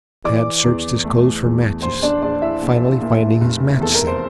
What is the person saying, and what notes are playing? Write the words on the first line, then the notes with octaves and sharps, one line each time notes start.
Tad searched his clothes for matches, finally finding his match safe.
E3 D5 D6
E2
A3
E2
A#1 C5 C6
D4 D5
A#1 D4 D5
E4 E5
A#1
A#2
F1
E2 A4
A#4
C5